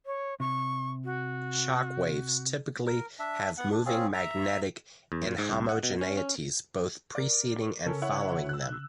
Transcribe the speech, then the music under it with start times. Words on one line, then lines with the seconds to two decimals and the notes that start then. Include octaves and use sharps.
Shock waves typically have moving magnetic inhomogeneities both preceding and following them.
0.06 C#5
0.40 C3 C#6
1.05 F#4
2.86 A#4
3.19 D4 E5
3.58 B3 F#5
3.71 D4
3.85 C4 C#4 F4 G#4
4.14 E5 A#5
5.12 E2
5.27 A#2
5.38 G#2
5.51 C2
5.69 F#5
5.83 B2
6.01 C#4
6.17 C#4
7.15 A#4 D5
7.86 C#3 C#4 A4 A#4
8.02 E4 C#5 F#5
8.49 E6 F#6